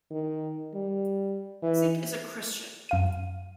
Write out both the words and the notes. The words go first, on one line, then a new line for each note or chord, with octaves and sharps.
Cink is a Christian.
D#3
G3
E3
F#2 F5 D#7